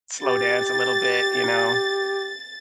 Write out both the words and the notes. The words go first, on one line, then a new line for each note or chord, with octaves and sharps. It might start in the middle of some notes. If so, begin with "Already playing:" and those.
slow dance a little bit, you know,
G4 A6